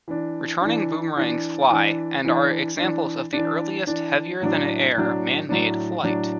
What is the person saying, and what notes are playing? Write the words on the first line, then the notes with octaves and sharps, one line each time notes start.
Returning boomerangs fly and are examples of the earliest heavier-than-air man-made flight.
E3 D4
E3 D4
E3 D4
E3 D4
E3 D4
E3 D4
E3 D4
E3 D4
A2 F#3 D4
A2 F#3 D4
A2 F#3 D4
A2 F#3 D4